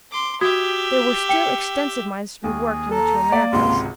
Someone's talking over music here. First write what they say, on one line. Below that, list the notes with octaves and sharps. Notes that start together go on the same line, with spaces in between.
There were still extensive mines to be worked in the two Americas.
C6 D6
F#4 G4 E5 D#6 G#6
G5 C#7
D#2 G#4
A4 A#5
A#3 D5
G#1 C#2 C3 C6